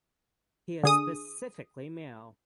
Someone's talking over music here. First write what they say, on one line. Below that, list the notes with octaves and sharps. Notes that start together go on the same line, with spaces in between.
He is specifically male.
D3 G#4 D#6